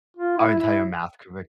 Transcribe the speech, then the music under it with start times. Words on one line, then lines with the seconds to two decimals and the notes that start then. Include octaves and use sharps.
our entire math curric
0.17 F4
0.38 E4
0.59 E4